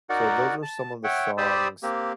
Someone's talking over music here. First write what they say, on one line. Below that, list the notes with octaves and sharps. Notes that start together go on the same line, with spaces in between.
So, those are some of the songs
D#4 F#4 A#4 D5 F#5
A5
C#5 E5 F#5 G5
G4 C5 D5 B5 D#6 E6
A#3 C4 G4